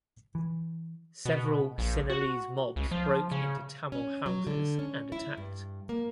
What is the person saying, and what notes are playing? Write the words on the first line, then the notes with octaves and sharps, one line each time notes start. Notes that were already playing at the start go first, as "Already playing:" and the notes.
Several Sinhalese mobs broke into Tamil houses and attacked.
E3
B2
A#1
F#4
C#2
F3
C#3
C#4
F#3
D3
C#4
E4
G2
A#3